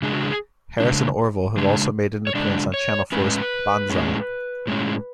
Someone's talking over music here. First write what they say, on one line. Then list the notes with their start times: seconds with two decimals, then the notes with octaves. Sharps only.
Harris and Orville have also made an appearance on Channel Four's "Banzai".
0.02 C#3 G#3 D4 G#4
0.12 F#4
0.22 G#4
0.80 C#3 G#3 D4
1.57 C#3 G#3 D4
2.27 C#5
2.35 C#3 G#3 D4 D5
2.74 C#5
3.12 A2 G#3 C#4 B4
3.90 A2 G#3 C#4
4.67 A2 G#3 C#4